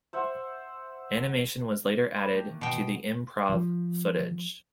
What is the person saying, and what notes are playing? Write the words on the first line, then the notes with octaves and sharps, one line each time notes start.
Animation was later added to the improv footage.
C5 E5 F#5
B5
A3 D4 G4
D#3 E3 A#3
B2 G5
F3